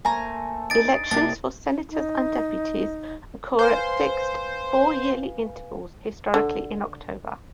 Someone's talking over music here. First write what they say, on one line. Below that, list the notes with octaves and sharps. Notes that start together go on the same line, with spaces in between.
Elections for Senators and Deputies occur at fixed four-yearly intervals, historically in October.
A3 A#3 A4 C5 G#5 A#5
D4 D#4 G#4 A6 D7
C3 A#3 D4 G4 G#4 A6
D#4
B4 C5 F5 G#5
D3